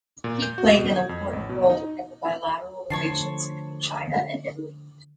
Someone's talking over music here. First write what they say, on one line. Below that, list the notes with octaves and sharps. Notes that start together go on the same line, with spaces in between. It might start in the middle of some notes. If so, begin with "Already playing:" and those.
He played an important role in the bilateral relations between China and Italy.
A#2
G6
F#4
B2
G#6
F2
A1
B2
D#4
D3 F3 A3 C#5 A5 C6